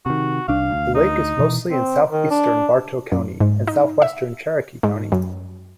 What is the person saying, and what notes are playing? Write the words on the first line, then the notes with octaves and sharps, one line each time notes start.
The lake is mostly in southeastern Bartow County and southwestern Cherokee County.
C3 D#3 F#4
C2 D4 F5
D2
D#4
B2 E3
C4
D#3
D4
F#2
G#2
D#4
E5
G#2
F#2